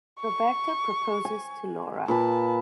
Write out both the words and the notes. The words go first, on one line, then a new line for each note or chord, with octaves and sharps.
Roberto proposes to Laura.
C#6
G#5
A#2 B4 A5 B5